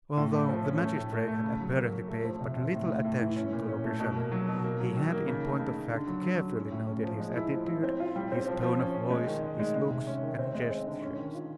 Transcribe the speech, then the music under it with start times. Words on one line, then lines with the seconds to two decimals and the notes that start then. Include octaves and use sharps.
Although the magistrate had apparently paid but little attention to the prisoner, he had in point of fact carefully noted his attitude, his tone of voice, his looks and gestures.
0.17 A2
0.33 A3
0.49 F3
0.65 C#4
0.80 A3
0.96 A2
1.12 A3
1.28 A3
1.44 C#3
1.60 F#3
1.76 A#3
1.92 F#3
2.08 A3
2.25 F3
2.41 C3
2.56 C3
2.72 A2
2.88 A2
3.04 A2
3.21 E3
3.36 C#4
3.52 A#2
3.69 C#4
3.84 A3
4.00 B2
4.16 A#3
4.32 F#3
4.48 B2
4.64 A#3
4.80 F#3
4.96 D#3
5.12 A#3
5.28 C#3
5.44 A3
5.59 C#3
5.76 C#3
5.92 D3
6.07 F#3
6.24 F#3
6.40 D3
6.56 C#4
6.71 A2
6.87 C#4
7.03 F3
7.20 G#3
7.36 E4
7.52 F3
7.67 E4
7.83 C4
8.00 F4
8.16 G3
8.32 C4
8.47 F3
8.63 F3
8.79 C#4
8.95 C#4
9.11 G#3
9.27 D#3
9.43 G#3
9.59 G#3
9.76 G#3
9.90 C3
10.07 C#4
10.23 D#3
10.39 C4
10.55 G#3
10.70 C4
10.87 D3
11.02 C#4
11.19 D#3
11.35 F4